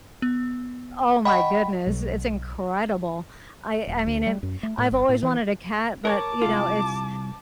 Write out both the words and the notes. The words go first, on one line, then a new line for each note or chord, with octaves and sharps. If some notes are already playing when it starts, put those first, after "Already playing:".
oh my goodness, it's incredible. I I mean, it I've always wanted a cat but, you know, it's,
B3
D#5 F#5 G5 B5 C#6
B1
D#1
D2
G3
F#2
A3
A2
G1
A2
E3
A#4 C#5 A5 D6
C2 F4